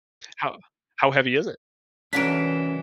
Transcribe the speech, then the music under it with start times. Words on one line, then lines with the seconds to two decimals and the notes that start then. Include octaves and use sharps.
How how heavy is it?
2.13 C2 E3 C#4 D4 F#4 A#4 B6 D7